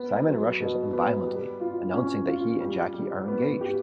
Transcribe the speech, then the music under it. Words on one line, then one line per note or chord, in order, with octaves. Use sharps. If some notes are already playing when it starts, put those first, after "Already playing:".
Simon rushes in violently, announcing that he and Jackie are engaged.
Already playing: B3
F#3
B2
B3
G3
F4
C#4
F4
G3
G3
B3
G4